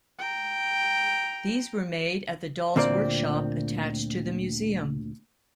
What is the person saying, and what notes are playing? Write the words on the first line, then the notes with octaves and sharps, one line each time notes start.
These were made at the Dolls Workshop attached to the Museum.
G5 A#5
D2 A#2 A#3 C4 D5